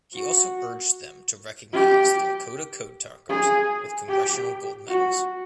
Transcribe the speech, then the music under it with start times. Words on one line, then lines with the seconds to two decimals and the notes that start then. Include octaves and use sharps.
He also urged them to recognize the Lakota code talkers with Congressional Gold Medals.
0.14 F#4
1.72 G4
3.29 G#4
4.08 G4
4.87 F#4